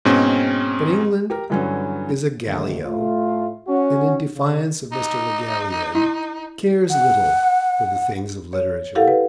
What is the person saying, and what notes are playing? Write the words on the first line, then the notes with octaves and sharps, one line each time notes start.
But England is a Gallio, and in defiance of Mr. Le Gallienne, cares little for the things of literature.
G#2 B2 C4 C#4
G4 A#4
G2 D3 E3 F#3 C#4
A#1 D3 D#3 A3
A2 A3 F4
C#4 F#4
C#3
D#4
E4
F#5
C#5
E4 G4 A4 A#4 F5 F#5
B4